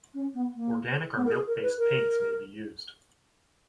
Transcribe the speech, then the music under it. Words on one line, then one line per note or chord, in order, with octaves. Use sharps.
Organic or milk-based paints may be used.
C#4
B3
A#3
B3
A#4
G#4
A#4
B4
A#4